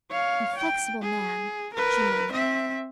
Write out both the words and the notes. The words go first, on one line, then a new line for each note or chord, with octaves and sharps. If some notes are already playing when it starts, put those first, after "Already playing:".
"Inflexible man!" she murmured.
C#5 F5
G5
G#4
A#4 B4
C4 E5